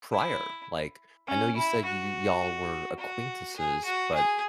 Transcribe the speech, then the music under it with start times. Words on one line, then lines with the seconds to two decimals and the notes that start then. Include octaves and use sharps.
prior? Like, I know you said y you y'all were acquaintances, but,
0.12 E4
1.27 C#4
1.56 E4
1.85 F#4
2.99 F#4
3.56 G#4
3.85 F#4
4.15 G#4